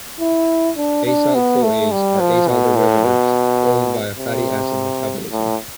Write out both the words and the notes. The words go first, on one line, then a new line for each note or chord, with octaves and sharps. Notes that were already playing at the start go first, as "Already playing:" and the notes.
Acyl-CoAs are acyl derivatives formed via fatty acid metabolism.
E4
D4
D4
B3
A3
G3
F3
B2
A2
B2
C3
A2